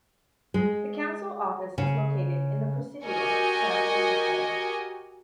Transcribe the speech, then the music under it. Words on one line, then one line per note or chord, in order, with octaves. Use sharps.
The Council office is located in The Presidio, San Francisco.
G#3
C#3
F#4 G4 A#4 D#5 G#5 C#6